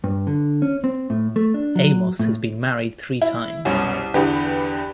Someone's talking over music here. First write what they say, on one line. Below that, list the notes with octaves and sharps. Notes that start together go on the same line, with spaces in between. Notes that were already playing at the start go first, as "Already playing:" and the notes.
Amos has been married three times.
G2
D3
C#4
C4
A2
A3
D4
F#3
A2
E4
C2 F#2 B2 C#4
E2 D3 D4 G4 B4